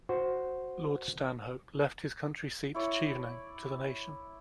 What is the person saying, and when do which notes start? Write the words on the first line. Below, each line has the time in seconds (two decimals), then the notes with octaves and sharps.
Lord Stanhope left his country seat Chevening to the nation.
0.09 F#4 C5
2.74 E4 C#5 D5